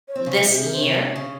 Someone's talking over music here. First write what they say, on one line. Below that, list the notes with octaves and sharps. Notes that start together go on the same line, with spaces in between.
this year,
C#5
C4 C5
C#3
C3
C3 G4
G#4
A#4
C5
C3 C#5
C5
C#5
C#3